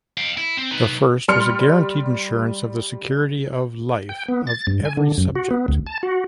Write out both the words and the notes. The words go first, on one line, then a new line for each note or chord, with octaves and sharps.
The first was a guaranteed insurance of the security of life of every subject.
F5 G5
E4
C4
D#4 B4
G3 C6 F6 C#7
G5
B3
A6
G2
G#5
D3
F#2
F#4
B3
D2
A5
F#4